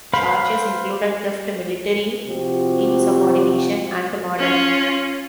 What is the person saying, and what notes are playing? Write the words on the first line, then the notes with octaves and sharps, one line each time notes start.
Charges included theft, military insubordination, and murder.
B4 C5 F5 B5
C3 F3 C4 F#4 G4
C#4 F4